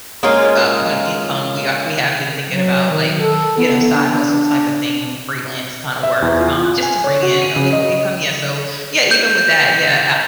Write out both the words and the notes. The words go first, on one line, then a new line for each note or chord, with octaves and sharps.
uh, point of income, we are we have been thinking about, like, you know, side hustle type of thing, freelance kind of work, um, just to bring in a little income, yeah, so, yeah, even with that, yeah,
G#3 A#3 C#4 F4
F#3
D#3
A4
B3
D4
D4
E5
E2
F4
F#6
G#5
C#5
F#4
D#7
C#3
D#5
G6